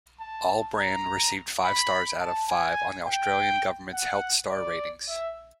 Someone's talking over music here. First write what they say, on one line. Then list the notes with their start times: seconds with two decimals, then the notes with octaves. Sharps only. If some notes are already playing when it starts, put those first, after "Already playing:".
All-Bran received five stars out of five on the Australian Government's health star ratings.
0.20 A5
0.77 A#5
1.64 B5
2.21 A5
2.49 G#5
3.07 G5
3.93 F#5
4.50 D5
5.08 E5